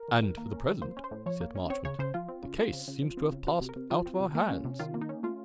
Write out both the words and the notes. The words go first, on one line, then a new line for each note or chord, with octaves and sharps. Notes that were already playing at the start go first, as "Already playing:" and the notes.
"And, for the present," said Marchmont, "the case seems to have passed out of our hands."
Already playing: A#4
D#3
D#3
A#3
C#4
D#3
A#3 C5
C#4
C5
A2
F3 C#5
A#3
C#4
C4 C#5
C#3 C#5
C#3 C5
F3 F4
C4
C#3
C4 F4
C#3
C#3
F3
C4
C#3
C4 F#4
C3
A#4
C3
F3 F4
C4
C3
A#3
C#4
C3
D#3 F4
A#3
D#4
C#4
A3 F4